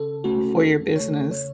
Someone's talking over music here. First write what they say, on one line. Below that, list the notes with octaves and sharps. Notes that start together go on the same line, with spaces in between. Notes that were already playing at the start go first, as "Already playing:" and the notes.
For your business.
Already playing: C#3 A4
A3 C#4 F#4
E2 A4
C#3 A3 C#5
C#3 C#5